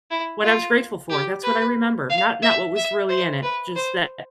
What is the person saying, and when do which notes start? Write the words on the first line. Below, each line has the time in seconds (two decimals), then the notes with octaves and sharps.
what I was grateful for. That's what I remember. Not not what was really in it. Just that
0.11 E4
0.44 F4
1.10 G4
1.43 B4
2.10 F5
2.43 E5
2.76 E5
3.09 C5
3.43 B4
3.76 C5